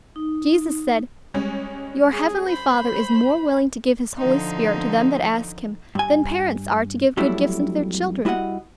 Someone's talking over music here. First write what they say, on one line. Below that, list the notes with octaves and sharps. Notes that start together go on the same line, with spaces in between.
Jesus said, 'Your Heavenly Father is more willing to give His Holy Spirit to them that ask Him, than parents are to give good gifts unto their children.
D#4
G3 G#3 C#4
G#4
C5 B5
D3 F3 D#4
G2 G#5
F2 F#3 G3 A3 E4
G3 E4 F#4 D#5 F#5